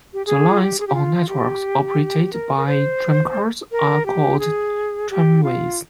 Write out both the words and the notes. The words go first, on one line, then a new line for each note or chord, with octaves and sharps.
The lines or networks operated by tramcars are called tramways.
G4
G#4
F4
G4
G#4
G4
F4
G4
A#4
A#4
C5
A#4
G4
G#4
G4
F4